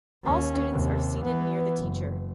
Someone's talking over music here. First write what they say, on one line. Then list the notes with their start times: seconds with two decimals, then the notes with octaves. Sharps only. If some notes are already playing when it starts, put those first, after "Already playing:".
All students are seated near the teacher.
0.23 D#2 C#4
0.72 D#2 C3
1.23 E3 B3
1.78 F#1